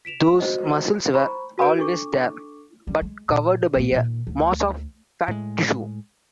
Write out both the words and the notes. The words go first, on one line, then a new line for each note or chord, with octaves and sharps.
Those muscles were always there but covered by a mass of fat tissue.
B6 D7 E7 F7
F#4 C5 D#5
C5 A#5 B5 C#6
F#4 A#4 B4 G6 D7
D4 A4 C#6 D6
G3
G#3
A#2
A#2 A#3
A#2 D#3
D2
A2 G#3